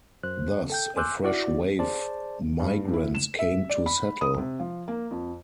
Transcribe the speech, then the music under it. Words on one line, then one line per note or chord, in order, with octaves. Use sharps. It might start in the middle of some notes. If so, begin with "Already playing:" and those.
Thus a fresh wave migrants came to settle.
F#2 C5 F#6
A4 G5 G6
G#5 C6 D6 E6 F#6 G6
E4 F#4 D5
G#4 C5 D5 A5
G2
E4
E7
E5
D5
B5
D#6
C3
F3
A#3
F2